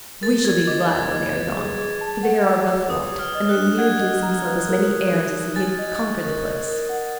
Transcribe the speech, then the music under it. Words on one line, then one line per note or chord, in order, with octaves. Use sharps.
We shall be glad when they are gone; for they are a rough lot, and their leader gives himself as many airs as if he had conquered the place.
A#4 A6
G4 G#6
D#5 D6
D#4 D6
D#5 D6
B4
G#4
G#4
A5
F#5
D6
C#5
B4 D#6
G4
F6
D#5
F#6
D4
F#5 G#6
D#5
A#5
B4
A#4
G4
D#4
D#4
G#5 A6
D#5
C#6
A#4
D#5
A#4
F#5